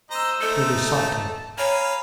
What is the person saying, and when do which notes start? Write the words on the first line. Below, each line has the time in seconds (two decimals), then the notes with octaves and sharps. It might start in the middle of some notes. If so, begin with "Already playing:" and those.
The Recital.
0.11 C5 D#5 A#5 E6
0.41 A3 D#4 A4
0.77 A5
1.58 C#5 F5 G#5 A#5 B5